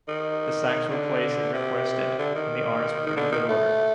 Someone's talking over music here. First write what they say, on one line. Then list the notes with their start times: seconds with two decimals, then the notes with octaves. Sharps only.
The sacks were placed as requested, and the arms were put in good order.
0.08 D#3
0.90 D3
1.53 C3
2.19 D3
2.35 D#3
3.06 D#3
3.16 D3
3.32 D#3
3.48 A3